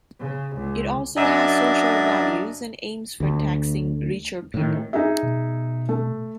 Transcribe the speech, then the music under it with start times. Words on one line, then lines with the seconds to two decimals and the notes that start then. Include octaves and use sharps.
It also has social values and aims for taxing richer people.
0.19 C#3
0.57 C#2
1.16 F#2 D4 D#5 E5
3.20 D2
4.54 A2 D#3
4.93 D#4 G#4 E5
5.23 B2
5.89 A3